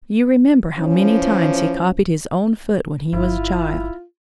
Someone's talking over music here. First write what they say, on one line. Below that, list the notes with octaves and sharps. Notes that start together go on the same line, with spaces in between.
You remember how many times he copied his own foot when he was a child.
E3 F3 C#4
G1 E4 F4